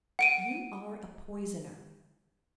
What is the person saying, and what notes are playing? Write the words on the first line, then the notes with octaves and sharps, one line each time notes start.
"You are a poisoner."
F#5 D7 D#7